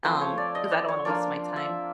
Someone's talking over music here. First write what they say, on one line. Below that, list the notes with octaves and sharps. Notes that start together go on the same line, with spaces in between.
um, because I don't want to waste my time.
F3 A3 C4 C5
C#5
D5
D#5
D5
C#5
F3 A#3 D4 F4 D5
E5